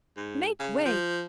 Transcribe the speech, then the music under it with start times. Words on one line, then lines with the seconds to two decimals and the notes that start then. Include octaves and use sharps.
Make way!
0.17 G#2
0.60 C#3
0.86 F3